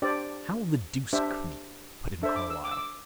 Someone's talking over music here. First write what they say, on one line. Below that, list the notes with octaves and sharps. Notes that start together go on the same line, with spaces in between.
"How the deuce could you?" put in Carlyle.
D4 G4 C5 D5
D4 G4 C5 E5
D4 A4 C5 E5
D6
E6
D6
E6
D6